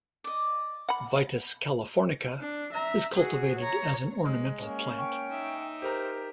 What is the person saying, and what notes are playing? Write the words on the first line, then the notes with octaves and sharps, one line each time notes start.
"Vitis californica" is cultivated as an ornamental plant.
D5 D#5
F#5 B5
D4
E5 A#5
F#4 G#4
C#5 A#5
G#3
A#3 C#4
G5 C#6
D#4 E5
G4 A#4 C5 A#5